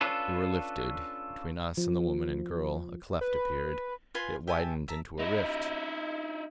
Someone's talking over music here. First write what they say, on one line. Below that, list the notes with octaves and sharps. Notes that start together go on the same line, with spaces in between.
We were lifted; between us and the woman and girl a cleft appeared; it widened into a rift.
C#4 D4 F4 A4 B4
F3
B4
F4 B4 G#5 C6
G4 E5 G#5 A5
E5 A5 A#5
D#4 E4